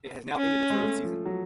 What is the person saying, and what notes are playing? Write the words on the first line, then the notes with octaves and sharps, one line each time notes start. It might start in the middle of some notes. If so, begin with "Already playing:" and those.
It has now ended its third season.
C#4
G#3
A3
F3
F#3